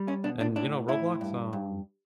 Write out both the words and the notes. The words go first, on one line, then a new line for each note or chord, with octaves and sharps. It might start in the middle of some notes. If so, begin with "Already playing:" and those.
And, you know, Roblox, um
Already playing: G3
C#4
B2 D4
D4
A2 D4
A2 E4
G2
G2